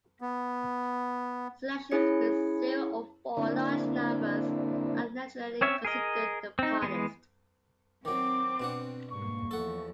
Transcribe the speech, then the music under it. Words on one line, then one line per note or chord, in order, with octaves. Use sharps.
Selections with zero or four large numbers are generally considered the hardest.
B3
C#4 E4 G#4 C#5 C#7
D3 A#3 C4 D4 E4
C4 C#4 C#5 E5
G#4 A#4 D#5
C4 D#4
E3 G#3 B3
D#3 F#3 C4 D6
B2 D4 F#5
G#2 G3 A#3 C#6
E2 F3 A4 F#5